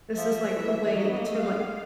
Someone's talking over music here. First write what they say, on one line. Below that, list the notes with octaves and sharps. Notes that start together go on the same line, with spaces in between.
this is, like, a way to, like,
F3 E5
E3
E3
F#3 D#5
B3
A#3
A3
G#3 F5